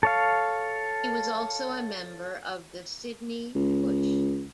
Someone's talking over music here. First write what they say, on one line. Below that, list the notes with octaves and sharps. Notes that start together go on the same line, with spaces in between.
He was also a member of the Sydney Push.
A4 C#5 F5
C#2